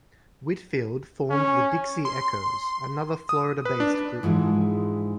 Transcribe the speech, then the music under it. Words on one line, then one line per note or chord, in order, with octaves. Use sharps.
Whitfield formed the Dixie Echoes, another Florida-based group.
C#4
C6
D#6
B4
D4
G#2 E3 F3 G#3